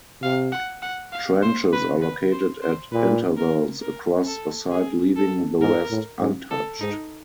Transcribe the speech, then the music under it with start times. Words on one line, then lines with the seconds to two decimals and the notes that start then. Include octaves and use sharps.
Trenches are located at intervals across a site leaving the rest untouched.
0.23 C3 F5
0.52 F#5
0.82 F#5
1.12 F5
1.42 C5
1.73 B4
2.02 B4
2.32 C5
2.62 C5
2.92 A#2 B4
3.37 A#4
3.82 A#4
4.27 A4
4.71 G#4
5.16 A4
5.61 G#2 A#4
5.90 A2
6.20 G#2
6.51 A4
6.81 G#2 D#4